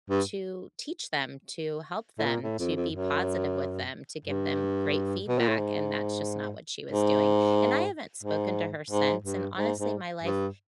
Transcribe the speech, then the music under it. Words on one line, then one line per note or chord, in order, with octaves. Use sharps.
to teach them, to help them, to be positive with them, to give them great feedback, and that's just not what she was doing. And I haven't spoken to her since, and, honestly, my life
G2
A2
A#2
A2
F2
F2
F#2
G2
B2
A#2
A2
G#2
G#2
G#2
G#2
G2
G#2
G#2
G2